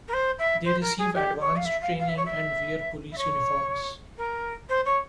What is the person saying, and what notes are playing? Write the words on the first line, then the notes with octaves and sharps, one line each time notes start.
They receive advanced training and wear police uniforms.
A#4
C5
E5
C5
A#4
G#4
G4
C#5
F5
E5
F5
F5
E5
C#5
E5
E5
C#5
A#4
C5
C#5